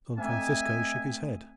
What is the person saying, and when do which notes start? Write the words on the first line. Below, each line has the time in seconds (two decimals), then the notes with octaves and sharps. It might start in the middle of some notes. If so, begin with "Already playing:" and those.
Don Francisco shook his head.
0.18 A3 C4 D#5 E5 G#5